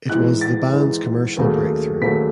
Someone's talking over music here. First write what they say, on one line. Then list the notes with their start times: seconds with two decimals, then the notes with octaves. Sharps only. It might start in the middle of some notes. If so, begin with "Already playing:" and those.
It was the band's commercial breakthrough.
0.09 G#2 E3 G#3 F#6
0.41 A6
0.73 G#2 E3 G#3
1.37 D#2 C#3 F#3 A3
2.02 D#2 C#3 F#3 A3 B6